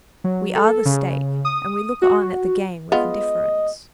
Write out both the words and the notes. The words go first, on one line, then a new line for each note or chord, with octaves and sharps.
We are the stake, and we look on at the game with indifference.
F#3
A4
C#3
D#6
F#4
G#3 B3 F4 D#5